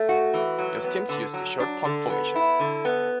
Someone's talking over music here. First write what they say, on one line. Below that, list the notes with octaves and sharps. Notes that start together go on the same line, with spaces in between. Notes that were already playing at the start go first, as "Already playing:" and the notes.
Yost's teams used the short punt formation.
Already playing: A3
F#4
E3
F#3
B3
D3
F#3
D4
D3
B3
E4
D3
B3